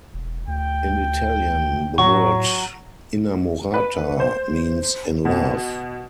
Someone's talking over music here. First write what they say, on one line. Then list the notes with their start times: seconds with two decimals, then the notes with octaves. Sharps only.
In Italian, the word "innamorata" means "in love".
0.14 E1
0.48 D2 G5
1.98 A2 F#3 C#6
3.74 B4
4.20 C5
5.25 B2